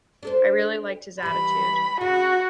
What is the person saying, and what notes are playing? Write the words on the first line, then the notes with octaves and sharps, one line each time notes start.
I really liked his attitude.
D4 A4 C5
E3 G3 B5
C#3 F#4